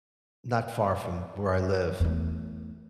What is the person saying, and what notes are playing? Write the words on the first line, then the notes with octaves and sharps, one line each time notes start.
not far from where I live
E2 A3